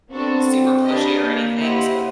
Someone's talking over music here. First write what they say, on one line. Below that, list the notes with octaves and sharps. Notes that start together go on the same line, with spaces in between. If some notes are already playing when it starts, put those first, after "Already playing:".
super pushy or anything, so
B3 C4 D4 F#4 A4
A#3 D4 G4 B4 D#5
A#3
E4 G4 C5 D#5 F#5